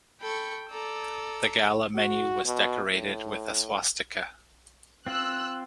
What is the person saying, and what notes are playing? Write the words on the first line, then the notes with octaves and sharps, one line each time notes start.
The gala menu was decorated with a swastika.
A4 G5 B5 C#6
A4 D5 A#5 E6
F#4
B2
A2
C4 F4 E6 F#6